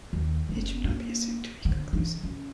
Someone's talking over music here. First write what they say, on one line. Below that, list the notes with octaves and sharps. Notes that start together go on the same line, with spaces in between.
It should not be assumed to be conclusive.
D#2
F#1
A#3
D3
E3
C#3